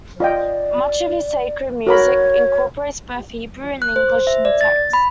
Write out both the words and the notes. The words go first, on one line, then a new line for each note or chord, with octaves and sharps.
Much of his sacred music incorporates both Hebrew and English in the text.
F4 D5 D#5 G5
F#4 A#4 C#5 B5
F#6
C5
C5
E5
D5
A6
B5